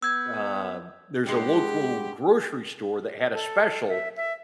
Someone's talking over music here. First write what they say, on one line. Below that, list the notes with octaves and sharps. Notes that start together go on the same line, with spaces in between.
um, there's a local grocery store that had a special
B3 E6 G6 G#6
G2 G#3 G4 F#5
A4
E5
E5